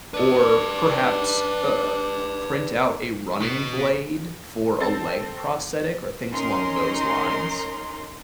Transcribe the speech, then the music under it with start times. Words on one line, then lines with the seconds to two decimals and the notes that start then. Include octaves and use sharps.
or perhaps, uh, p print out a running blade for a leg prosthetic or things along those lines
0.14 D4 B4 D5
3.42 B2
4.80 C4 A4 A6
6.31 C#4 D#4 A#4 C6